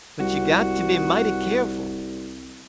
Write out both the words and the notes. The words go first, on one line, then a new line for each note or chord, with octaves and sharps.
But you got to be mighty careful.
C2 F#4